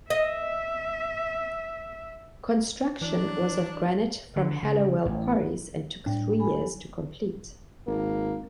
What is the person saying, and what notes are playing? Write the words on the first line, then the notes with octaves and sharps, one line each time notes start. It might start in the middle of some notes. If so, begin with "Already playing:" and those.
Construction was of granite from Hallowell quarries and took three years to complete.
D#5 E5
E3 F#3 D4
D3
C#3
A1
A2 G3 D4 D5 G5
A4 G#5 B5
F#3 G4
G#1 A#3